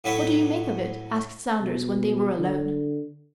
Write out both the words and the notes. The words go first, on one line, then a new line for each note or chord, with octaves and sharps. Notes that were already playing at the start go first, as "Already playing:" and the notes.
"What do you make of it?" asked Saunders when they were alone.
A2 F#3 E4 B4 C#5
B2
D3